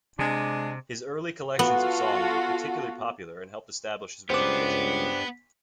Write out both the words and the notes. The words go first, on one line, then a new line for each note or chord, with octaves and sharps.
His early collections of songs were particularly popular and helped establish his reputation.
C3 G#3 D4
B3 F4 F#4 A4
C#2 B3 D4 G4 C5 D6